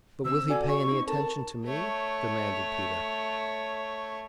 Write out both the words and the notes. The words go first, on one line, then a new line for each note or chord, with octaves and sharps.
"But will he pay any attention to me?" demanded Peter.
D3 C4 E6
F#4 A4 D5 G#5
C#6
C4 D#4
A4 A#4 A5
A#4
A3 C#5